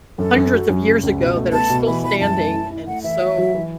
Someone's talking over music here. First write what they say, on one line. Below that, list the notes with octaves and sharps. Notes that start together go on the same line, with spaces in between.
hundreds of years ago that are still standing, and so,
F#2 A4
F#2
F#4
F#2
C#3
C#2
B2
A3
B3 A5
B2
E3 B5
E3 B5
F#2 A5
A3
E4
E4
A3 F#5
E3 E5
F#3
F#3
E3